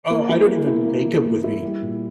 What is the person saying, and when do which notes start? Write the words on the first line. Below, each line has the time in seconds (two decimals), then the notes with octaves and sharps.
Oh, I don't even make 'em with meat.
0.10 A#3
0.29 E3
0.48 E3
0.67 E4
0.86 A#3
1.05 E3
1.25 E3
1.44 E4
1.63 G3
1.82 A#2